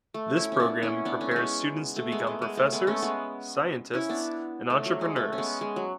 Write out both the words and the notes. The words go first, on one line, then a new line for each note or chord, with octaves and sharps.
This program prepares students to become professors, scientists, and entrepreneurs.
A3
C#4 E4
C#4
B3 D4
C#4 E4
B3 D4
A3 C#4
G#3 B3 C#4
A3
G#3 B3
A3
G#3
A3
G#3 B3
A3 C#4
G#3 B3
C#4 E4
B3 D4
A3
F#3
G#3
A3
C#4
G#3 B3
G#3
F#3